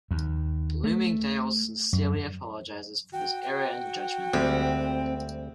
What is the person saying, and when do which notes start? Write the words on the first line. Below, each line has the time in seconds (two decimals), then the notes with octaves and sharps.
Bloomingdale's sincerely apologizes for this error in judgment.
0.11 D#2
0.84 A3
1.93 F#2
3.13 F#4 G5
3.42 G5
4.33 D2 G3 G#3 C4